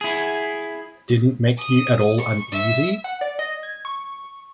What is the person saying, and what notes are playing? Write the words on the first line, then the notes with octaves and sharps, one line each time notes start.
Didn't make you at all uneasy?
E4 G#4
D#6
C#6
E5
F#5
D5
D#5
G#6
C#6